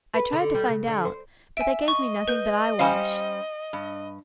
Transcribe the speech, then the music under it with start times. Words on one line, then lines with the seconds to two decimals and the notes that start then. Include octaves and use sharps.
I tried to find out, but they gave me nothing but eyewash.
0.14 B4
0.32 D3
0.54 G3
0.69 C#3
0.87 D3
1.05 C5
1.57 E5 G#5 D7
1.88 D#5 C#6
2.28 B4 G6
2.79 G3 C#4 C5 F5 G#5
3.73 G2